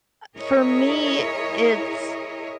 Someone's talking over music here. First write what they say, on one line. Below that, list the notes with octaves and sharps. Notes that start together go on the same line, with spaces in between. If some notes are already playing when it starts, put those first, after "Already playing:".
Uh, for me, it's
E4 G#4 A#4 C#5 D#5